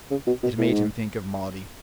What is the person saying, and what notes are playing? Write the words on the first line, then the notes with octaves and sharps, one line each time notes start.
It made him think of Maudie.
C#3
B2
B2
A2
G#2